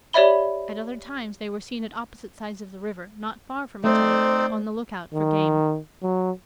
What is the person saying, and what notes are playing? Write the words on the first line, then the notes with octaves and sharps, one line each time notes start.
At other times they were seen at opposite sides of the river, not far from each other, on the look out for game.
G4 C#5 D5 E5 B5 G7
A3 C4 D#4 C5 D5
D#3
F#3